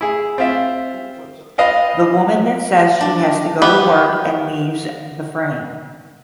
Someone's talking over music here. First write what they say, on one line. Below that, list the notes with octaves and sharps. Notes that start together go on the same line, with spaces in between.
The woman then says she has to go to work and leaves the frame.
E4 G#4
C4 F4 E5
F4 B4 D#5 F5 G5
D4
B3 G4